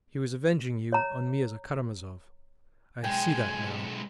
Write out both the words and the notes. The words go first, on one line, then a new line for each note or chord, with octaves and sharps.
He was avenging you on me as a Karamazov, I see that now.
C#5 A#5
B1 G#3 G5 G#5